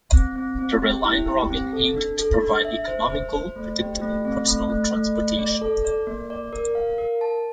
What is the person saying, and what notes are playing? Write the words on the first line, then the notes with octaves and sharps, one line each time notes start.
The Reliant Robin aimed to provide economical, predictable personal transportation.
C4
C4
C4
G4
E4
G4
C4
A4
D4
A4
D4
E5
C5
C5
C5
A3
G4
A3
C4
A3
A3
A3
A3
D5
A4
D5
A#3
D5
A#4
F5
A#4
A5